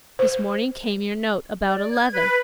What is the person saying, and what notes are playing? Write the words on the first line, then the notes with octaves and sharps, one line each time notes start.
This morning came your note, about eleven.
C5
D5
G#6
B4